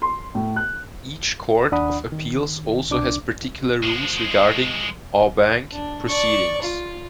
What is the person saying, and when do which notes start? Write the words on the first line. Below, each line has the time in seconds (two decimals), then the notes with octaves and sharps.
Each court of appeals also has particular rules regarding "en banc" proceedings.
0.02 C6
0.35 A2
0.56 F#6
1.72 D#2 D4 D5 F#5 B5 D#6
2.12 D#3
2.90 C2 D4 D6
3.83 F3 G#3
5.72 D4
6.07 D5 C#6
6.62 F4